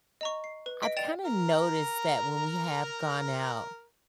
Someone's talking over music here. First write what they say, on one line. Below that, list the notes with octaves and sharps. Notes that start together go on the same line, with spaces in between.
I've kinda noticed that when we have gone out,
D#5 A#5 C#6
C7
B4
D#5 B6 D7
D5 G5 A6 E7 F7
A#4 A#5